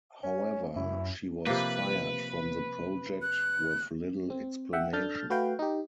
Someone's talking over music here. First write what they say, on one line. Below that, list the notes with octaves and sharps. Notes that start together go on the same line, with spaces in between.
However, she was fired from the project with little explanation.
C#4
F#2 E4
C3 F3 A#3 B4
F#6
C4
E5 F#5 G5
D4 A4 F6 G6 A6
A3 F#4 B4 F5 G5
D#4 G4